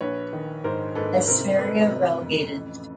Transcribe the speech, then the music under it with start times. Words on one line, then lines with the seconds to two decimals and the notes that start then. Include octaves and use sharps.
Esperia relegated.
0.01 A#1 B4 C#5
0.33 D#3
0.64 G#2 A#4 C5
0.95 G#2 A4 B4
1.27 C3 A#4 C5
1.58 A3 A4 B4
1.90 C3
2.22 F2
2.54 A1